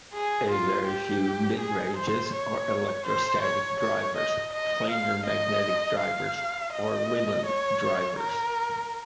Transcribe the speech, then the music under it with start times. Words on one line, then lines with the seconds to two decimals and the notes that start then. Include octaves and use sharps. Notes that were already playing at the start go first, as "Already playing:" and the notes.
A very few mid-ranges are electrostatic drivers, planar magnetic drivers, or ribbon drivers.
0.14 G#4
0.50 F4
0.87 G4
1.60 G#4
1.97 C5
2.33 C#5
3.06 C5
3.43 C#5
3.81 C#5
4.17 D#5
4.53 D#5
4.90 F5
5.26 D#5
6.00 F5
6.73 D#5
7.46 C#5
8.19 A#4